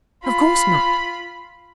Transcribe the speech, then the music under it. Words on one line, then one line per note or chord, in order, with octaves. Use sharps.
Of course not!
F4 B5